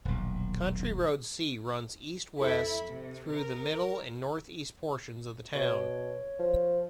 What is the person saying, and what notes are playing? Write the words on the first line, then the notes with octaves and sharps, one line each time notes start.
County Road C runs east-west through the middle and northeast portions of the town.
D#1 B1
F2 E4 A4 B5
C3
A#4
B2 C#5
F3